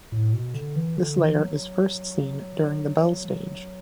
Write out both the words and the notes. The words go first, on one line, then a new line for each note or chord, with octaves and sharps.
This layer is first seen during the bell stage.
A2
B2
D3
E3
D3
E3
F#3
F#3